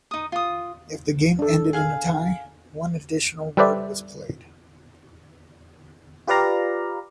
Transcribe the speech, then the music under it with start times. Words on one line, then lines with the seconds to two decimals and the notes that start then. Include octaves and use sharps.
If the game ended in a tie, one additional word was played.
0.11 D#4 D#6
0.32 F4 D#6
1.39 D4 A4
1.73 G#4 F5
3.57 G3 A4 B4 C5 D5 E5
6.27 F4 G4 B4 D5 F5 A#5